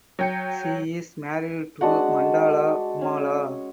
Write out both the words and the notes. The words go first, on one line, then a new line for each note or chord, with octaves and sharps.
She is married to Mandla Khumalo.
F#3 G5 C#7
G#3 D4 F#4 F#5
C#4